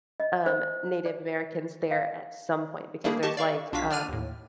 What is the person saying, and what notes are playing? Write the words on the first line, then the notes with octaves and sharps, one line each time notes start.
um, Native Americans there at some point, because there's, like, um,
D#5
C5
D5
F5
G3 A3 A#3 D4 E4 G#4
G4 D#5 A5 C#6
D5 F5 C#6
B1 D4 F4 F#4 F5 B6
D4 D5 F6 D#7
D#2 A2